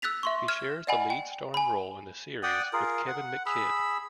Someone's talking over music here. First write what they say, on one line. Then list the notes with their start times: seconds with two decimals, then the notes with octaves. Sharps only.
He shares the lead starring role in the series with Kevin McKidd.
0.02 E6 F#6 A6 B6 F7
0.23 E5 C6 C#6
0.48 F6 G#6 E7
0.87 D5 D#5 F#5 G#5 B5
1.10 G5
1.54 G#5 B5
2.43 D5 F#5 G5 D#6
2.73 F4 G#4 A#4
3.07 F#5
3.46 G#4 B5 E6